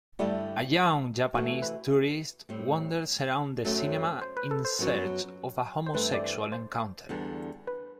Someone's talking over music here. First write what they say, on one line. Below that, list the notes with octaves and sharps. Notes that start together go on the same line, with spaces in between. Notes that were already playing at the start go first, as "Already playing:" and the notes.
A young Japanese tourist wanders around the cinema in search of a homosexual encounter.
G2 D3 G3 A3 E4 G4
C3 E3 A3 F#4
B4
A2 G3 C4
F#2 F#3 A3 C4
C5
B4
A4
C5
F#2 F#3 B3 F#4
C5
G2 E3 A3 C4 B4
D5
C5
E2 D3 G3 D4
B4